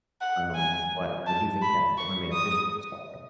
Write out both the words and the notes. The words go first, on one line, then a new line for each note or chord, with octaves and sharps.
Um, but I do think that government officials are,
F#5
G#5
A5
B5
C#6
D#6